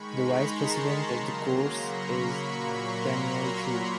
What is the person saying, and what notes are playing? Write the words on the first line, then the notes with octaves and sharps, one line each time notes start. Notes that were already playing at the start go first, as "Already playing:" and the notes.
The vice president of the course is Tenniel Chu.
Already playing: D#3 G#3 B5 C#6
A#5 C6
A5 B5
C#3 F#3 A#3 A#5 C6
B5 C#6
B5 C#6
A#2 F#3 A#3
A#5 C6